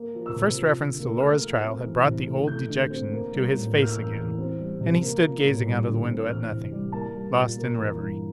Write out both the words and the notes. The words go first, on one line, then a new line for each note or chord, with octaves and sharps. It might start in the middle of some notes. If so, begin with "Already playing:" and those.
The first reference to Laura's trial had brought the old dejection to his face again, and he stood gazing out of the window at nothing, lost in reverie.
Already playing: A#3
F3
E6
C3
F3
D3
A#3
A3 F6
F3
C4
E3
C3
A3
A3 G6
D3
C4
A#3
G3
A2
A#3 G6
F6
E6
E3 F6
E2
C4
G3
C3
A#3
F3
A2
G3
D3
C4
E3 F6
C3
G3
A#3 A5
G3
A#2
A#3
E3
G2